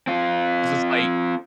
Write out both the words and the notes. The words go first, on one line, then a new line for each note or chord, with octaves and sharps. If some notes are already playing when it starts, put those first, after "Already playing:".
'cause it's like
C4 F4